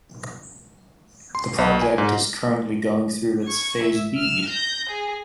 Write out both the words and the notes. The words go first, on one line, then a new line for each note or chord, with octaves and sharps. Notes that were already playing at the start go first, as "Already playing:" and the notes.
The project is currently going through its Phase B.
C6
B1
G#5
G#2
C#6 G#6
E5
F6 E7
G6 A#6
G#4